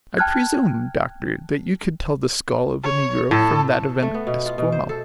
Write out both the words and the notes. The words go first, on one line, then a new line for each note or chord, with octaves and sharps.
"I presume, Doctor, that you could tell the skull of a negro from that of an Esquimau?"
G5 A5 F6 F#6 G#6
C#5
A2 A4
A3
B3
B2
F4
B2
C5
A4